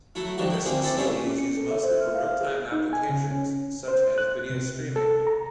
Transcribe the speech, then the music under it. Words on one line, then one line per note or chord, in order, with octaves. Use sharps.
This facility is used mostly for real-time applications, such as video streaming.
F#3 A3 E4
C#2 G2 D#3 F3 G3 F#4
E4 D#5
D2 A#3 C4 G#4
C4 E4 A4 C5 D5
G2 C#3 G3 C4 C#4 E4
C#4
C#7
A4
E5
C5
F6
F5
G#4
D#4
G#5
C#3
C#4
C5
F#6
C3
A4
A#5